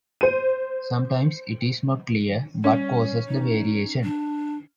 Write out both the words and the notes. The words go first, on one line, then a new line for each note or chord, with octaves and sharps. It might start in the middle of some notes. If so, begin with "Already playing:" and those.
Sometimes, it is not clear what causes the variation.
C5 D#7
G3 C#4
D#4
D4